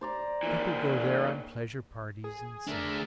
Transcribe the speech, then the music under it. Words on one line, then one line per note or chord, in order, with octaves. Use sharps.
People go there on pleasure parties in summer.
C5 D5 A#5
E3 A#3
G#4
D2 D4 A4 A#4 E5